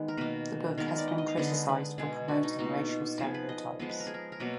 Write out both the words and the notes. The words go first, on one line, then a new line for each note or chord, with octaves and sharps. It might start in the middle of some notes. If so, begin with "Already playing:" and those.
The book has been criticized for promoting racial stereotypes.
Already playing: D#3 G#3 B3
A#4
B2 A#3 B4
D#3 G#3 B3 A#4
A#4
D5
D#5
D#5
F5
D3 G#3 B3 D#5
B4
B2 G#3 B3 G#4
F#4
D#4
B2 A#3 D#4
F4
F3 B3 G#4
B4
D#5
F3 G#3 B3 D#5
B4
A#4
G#4
A#4
A#4
B2 F#3 A#3 B4